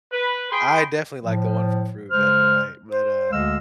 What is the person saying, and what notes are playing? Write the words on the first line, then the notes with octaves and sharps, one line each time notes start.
I definitely like the one from Peru better, right? But, uh
B4
G#4 G5 B5 C6
A2 F3
C#3 G#3 C5 F6
C5
D2 D3 G#3 D#5 F5 E6